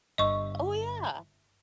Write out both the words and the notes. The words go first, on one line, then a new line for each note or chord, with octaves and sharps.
Oh, yeah.
G1 D#5 E5 C#6